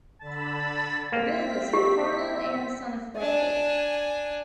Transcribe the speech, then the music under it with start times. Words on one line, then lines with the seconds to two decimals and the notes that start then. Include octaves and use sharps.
The builders were Parnell and Son of Rugby.
0.21 D3 A5 B5 E6
1.12 A#3 C4 B6
1.73 G4 E5
3.17 D4 G#5